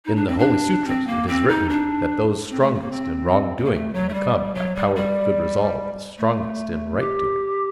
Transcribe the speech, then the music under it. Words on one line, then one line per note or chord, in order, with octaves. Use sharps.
In the holy sutras it is written that those strongest in wrong-doing can become, by power of good resolve, the strongest in right-doing.
D#4
D4
C4
D4
C4
A#3
C4
D#4
D4
C4
A3
A3
A#3
C4
C4
A#3
A3
F#3
A3
G3
F#3
G3
G3
A3
G4